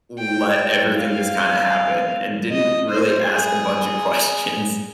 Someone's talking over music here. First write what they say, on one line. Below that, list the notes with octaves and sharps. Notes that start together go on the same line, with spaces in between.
let everything just kinda happen and didn't really ask a bunch of questions
G5
F5
D#5
C5
G#4